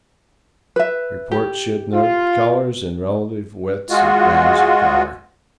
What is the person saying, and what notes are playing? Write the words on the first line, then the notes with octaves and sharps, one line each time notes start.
Reports should note colours and relative width of bands of colour.
B4 E5
G4
F4
G#3 F4 F#4